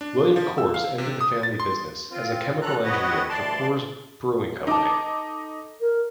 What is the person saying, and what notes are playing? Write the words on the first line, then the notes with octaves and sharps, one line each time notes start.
William Coors entered the family business as a chemical engineer for Coors Brewing Company.
D4
F3
E6
F5
C3
D#6
A6
C6
C4 F4
D#3 F#3 A4 A#5 F#6
C4 F#4 B4 C#5 D#5 F#5
D2 E3 D5 A5 C6
D#4 A4 A5 D6
A#4